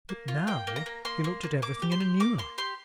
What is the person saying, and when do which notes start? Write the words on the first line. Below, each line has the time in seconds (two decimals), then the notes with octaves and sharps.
But now he looked at everything in a new light.
0.09 A#3
0.28 F4
0.47 A#3 G5
0.67 A#3
0.76 A#5
0.86 A#3
1.05 A#3 C6
1.24 A#3
1.43 A#3
1.62 A#3 D6
1.82 G4
1.92 C6
2.00 G4
2.20 A#3 D6
2.38 A#3 C6
2.58 G4 C6